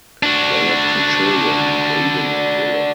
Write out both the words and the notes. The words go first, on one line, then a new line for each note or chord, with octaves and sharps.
They have two children, Jaden and Willow.
D4 F#4